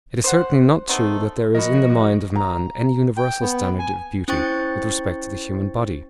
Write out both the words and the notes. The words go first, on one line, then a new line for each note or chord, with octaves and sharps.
It is certainly not true that there is in the mind of man any universal standard of beauty with respect to the human body.
C5 F#5
A3 B3 C4 D#4
F3 F#4 A#4 D#5 B5
A#5
G5
B3
G#5
C#4 E4 C5 G5 C#6 A6